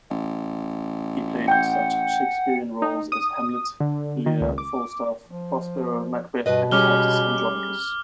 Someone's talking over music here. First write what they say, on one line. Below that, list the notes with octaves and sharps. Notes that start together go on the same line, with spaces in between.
He played such Shakespearean roles as Hamlet, Lear, Falstaff, Prospero, Macbeth and Titus Andronicus.
A1
F#5 G5 G6
D#4
D#6
D3
D#3
C#2
D6
F3
G2 B2 B4 D#5
G3 G#3 C#4 D6 F6 G7